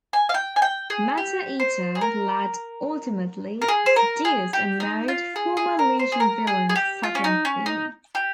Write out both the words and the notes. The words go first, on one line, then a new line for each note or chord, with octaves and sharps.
Matter-Eater Lad ultimately seduced and married former Legion villain Saturn Queen.
G#5
F5
G5
G#5
G5
G#4
G4
C5
G#4
A#4
A#4
G#4
C5
A#4
G#4
G4
D#4
F4
G#4
G#4
A#4
C5
G#4
A#4
G#4
G#4
G4
F4
C#4
D#4
C#4
D#4
G4